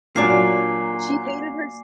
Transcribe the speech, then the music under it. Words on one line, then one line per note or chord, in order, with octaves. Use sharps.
She hated her s
A#2 F#3 A#3 D4 D5 G#5 D6 C7